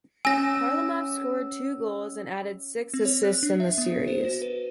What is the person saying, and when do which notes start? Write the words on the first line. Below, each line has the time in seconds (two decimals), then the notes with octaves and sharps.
Kharlamov scored two goals and added six assists in the series.
0.25 C#4 G#5 E6 A#6
2.94 C4
3.05 C#5
3.23 F#6
3.43 D4
3.60 E5
3.78 B3
4.08 C5
4.25 F#4
4.42 B4